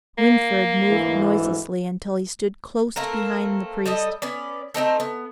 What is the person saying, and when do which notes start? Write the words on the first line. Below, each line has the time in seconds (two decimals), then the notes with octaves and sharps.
Winfried moved noiselessly until he stood close behind the priest.
0.18 A#3
0.89 D2 G#2 E3
2.96 A3 A#3 C4 A#4
3.86 G3 A4 D#5
4.22 B3 C#4 D5
4.74 A3 C4 D#4 A4
5.00 B3